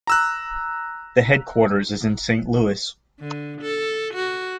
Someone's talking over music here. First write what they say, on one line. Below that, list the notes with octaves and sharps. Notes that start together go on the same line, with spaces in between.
The headquarters is in Saint Louis.
A#5 E6 F#6
D3
A4
F#4